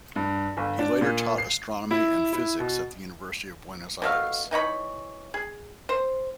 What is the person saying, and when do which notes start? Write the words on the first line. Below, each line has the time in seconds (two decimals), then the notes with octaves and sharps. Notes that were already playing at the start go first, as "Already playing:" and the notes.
He later taught astronomy and physics at the University of Buenos Aires.
0.16 G2
0.57 G1
0.79 D4
1.01 A#2
1.38 C7
1.91 E4
2.33 E4
2.60 B2
4.02 B2 A3 F5
4.51 E3 D#4 C#5 B5
5.34 G#4
5.89 C5